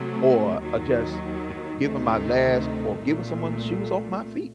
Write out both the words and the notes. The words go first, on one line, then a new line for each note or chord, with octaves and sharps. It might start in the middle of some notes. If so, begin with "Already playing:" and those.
or, uh, just, you know, giving my last or giving someone shoes off my feet.
Already playing: C3 F#3 A3
D#2 D#3 F#3
D2 C3 D#3 A3 D#4
C2 A#2 A3